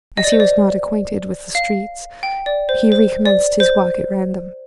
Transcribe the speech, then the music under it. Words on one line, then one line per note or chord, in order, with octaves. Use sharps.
As he was not acquainted with the streets, he recommenced his walk at random.
D#5
D5
C5
D5
F5
G5
D5
C5
C5
D5
C5